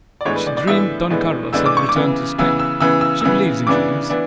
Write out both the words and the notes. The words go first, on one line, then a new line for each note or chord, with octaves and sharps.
She dreamed Don Carlos had returned to Spain; she believes in dreams.
D5
A2 E3 G#3 B3 D4 C#5
B4
D5
D5
A2 E3 G#3 B3 D4 E5
A2 E3 G#3 B3 D4
A2 E3 G#3 B3 D4 E6
D6
C#6
D6
C#3 E3 B3
C#3 E3 B3 E6
E6
C#3 E3 B3 E6
E6
C#3 E3 B3 E6
C#3 E3 B3 D4 D6
E3 B3 D4